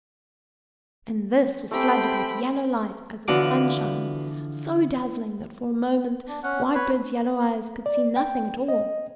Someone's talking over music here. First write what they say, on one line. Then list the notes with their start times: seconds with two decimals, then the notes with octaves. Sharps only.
And this was flooded with yellow light as of sunshine, so dazzling that for a moment Whitebird's yellow eyes could see nothing at all.
1.71 A3 C4 G4 G5 G#5 B5
3.28 D3 E3 F3 B3 F#4 D6
6.28 D4
6.43 C#4 F#5
6.75 B4 C#5
7.86 D5
8.16 G5
8.68 D#5